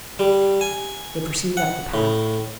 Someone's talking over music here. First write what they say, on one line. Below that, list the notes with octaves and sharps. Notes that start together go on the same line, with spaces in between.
They proceeded up the path.
G3
G#5
F#5
A2